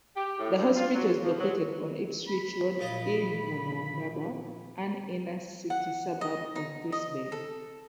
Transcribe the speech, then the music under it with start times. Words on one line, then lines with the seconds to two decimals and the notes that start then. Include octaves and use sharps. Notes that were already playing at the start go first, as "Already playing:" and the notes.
The hospital is located on Ipswich Road in Woolloongabba, an inner-city suburb of Brisbane.
0.17 G4
0.39 A2
0.58 G2
0.75 F4
0.95 F#3
1.23 F3
1.40 F#3
2.28 B5
2.79 A#1 F4 D#5
5.70 F#5
6.21 D#5
6.55 D#4
6.92 D#5
7.32 A4